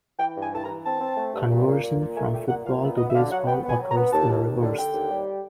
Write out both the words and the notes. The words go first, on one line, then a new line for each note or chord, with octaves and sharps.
Conversion from football to baseball occurs in reverse.
E3 G5
G2
G#5
E3 A5
A#5
E3
C4 A5
C4
A3
G2
A#2
A#2
A#2
A#2
A3 G#5
A#2 G5
A#2 F#5
A#2 F5
B3 E5
B3 D#5
E5
D3 F5
F#3 F#5
B3 G5
B3
G#5
F#3
A#5
B3
D#2 A5
D#2
D#2
D3
D3 G5
D#2
G3